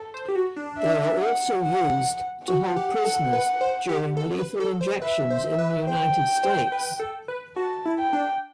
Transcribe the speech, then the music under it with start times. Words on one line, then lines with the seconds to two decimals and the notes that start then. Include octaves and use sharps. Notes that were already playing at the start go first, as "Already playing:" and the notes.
They are also used to hold prisoners during lethal injections in the United States.
Already playing: A4
0.14 C5
0.28 G4
0.35 F#4
0.56 D4
0.78 E5
1.20 F#5
1.63 F#5
2.47 F#4 F#5
2.76 G4
3.05 A4
3.33 B4
3.61 C5
3.89 G4
4.17 A4
4.38 B4
4.60 A4
4.81 C5
5.02 B4 E5
5.30 C5
5.44 E5
5.58 B4
5.87 C5 G5
6.43 C5
6.72 B4
6.99 A4
7.28 B4
7.56 F#4 A5
7.86 E4
7.99 G5
8.13 D4